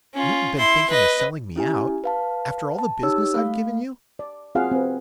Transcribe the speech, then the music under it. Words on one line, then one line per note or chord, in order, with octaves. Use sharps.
'You haven't been thinking of selling me out--after all the business I've given you?'
C#4 F4
E4 C6
B4 D#5
C#4 E4 G4 G#5
B4 F5 A5
A5
D#4 G4 C#5 E6
A3 F5
D5
C4 F4 F#4 G#4 F5 F#5
C4 B4